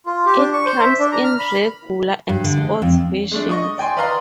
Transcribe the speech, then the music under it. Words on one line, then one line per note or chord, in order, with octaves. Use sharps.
It comes in Regular and Sports versions.
F4
G4
D4
C#6
C5
E5
D4
A#5
F6
B5
G2
D3
G#3
F2
G#3 A3 D4
D#5 C#6 D#6
D5 G5 G#5 C6
B4 D5 D#5 F5 A#5 C6